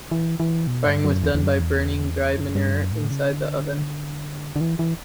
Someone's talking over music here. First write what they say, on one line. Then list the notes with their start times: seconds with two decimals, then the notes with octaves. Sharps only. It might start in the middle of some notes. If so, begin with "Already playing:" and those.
Firing was done by burning dried manure inside the oven.
0.11 E3
0.40 E3
0.67 B2
0.86 G2
1.05 F#2
1.24 E2
1.35 E2
1.43 F#2
1.61 E2
2.36 F#2
2.55 G2
2.73 F#2
2.92 A2
3.11 C#3
3.29 D3
4.56 D3
4.61 E3
4.79 E3